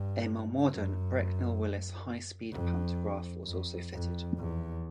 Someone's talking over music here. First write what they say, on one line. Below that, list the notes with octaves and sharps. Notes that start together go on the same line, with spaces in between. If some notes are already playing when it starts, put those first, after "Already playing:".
A more modern Brecknell Willis high speed pantograph was also fitted.
Already playing: G2
F#2
F2
F2
F2
E2